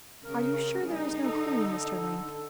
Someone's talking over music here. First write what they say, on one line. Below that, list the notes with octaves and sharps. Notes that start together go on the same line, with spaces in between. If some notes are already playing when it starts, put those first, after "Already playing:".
"Are you sure there is no clue, Mr. Link?"
C#3 A#4
G3 D#4 G#4
D3 A4